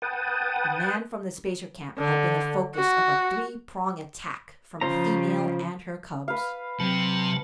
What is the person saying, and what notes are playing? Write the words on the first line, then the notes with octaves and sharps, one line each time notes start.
The man from the spacer camp had been the focus of a three-prong attack from a female and her cubs.
B4 F#5 G5 A5 D#6
D3
F#4
C#3 F3 F4 C5 A#5
B4 F5
C3 F#3 A5